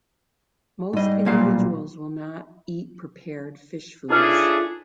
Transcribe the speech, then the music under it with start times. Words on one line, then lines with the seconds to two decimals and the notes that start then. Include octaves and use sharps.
Most individuals will not eat prepared fish foods.
0.93 G#2 G3 D#5
1.25 B1 A#2 F5
4.10 C#3 A3 D4 D#4 F4 G#4 B4